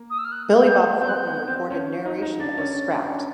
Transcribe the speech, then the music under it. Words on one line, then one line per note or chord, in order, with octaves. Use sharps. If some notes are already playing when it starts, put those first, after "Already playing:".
Billy Bob Thornton recorded narration that was scrapped.
Already playing: A#3
D#6
E6
F6
F#6
G6
C4 G6
F#6
G6
B3
C4
C#4
D#4
D#4
D4 A6
C#4
C#4
D4
C#4